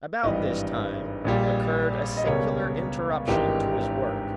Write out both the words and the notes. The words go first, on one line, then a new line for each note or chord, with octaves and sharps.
About this time occurred a singular interruption to his work.
G#1 G2 E3 G3 B4 D#5
A#1 A#2 G3
D#5
C#2 B2 G3 A#4 C#5
G#1 G2 E3 G#3 G4 A#4